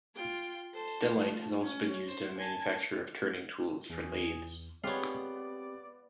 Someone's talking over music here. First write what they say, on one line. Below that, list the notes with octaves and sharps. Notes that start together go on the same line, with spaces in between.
Stellite has also been used in the manufacture of turning tools for lathes.
F4 G5
A4 C5
F3 A3
C#4
C5
G#5 A5
E2 G#4
G#3 B3 C4 F4 G4 C#5 D5